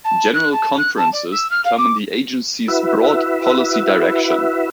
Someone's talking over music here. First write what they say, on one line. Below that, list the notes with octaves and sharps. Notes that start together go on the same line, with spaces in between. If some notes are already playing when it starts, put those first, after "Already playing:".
General Conferences determine their Agency's broad policy direction.
A5
F#6
A5
F#6
A5
D5
E6
F6
F5
D6
E4 F#4 B4 E5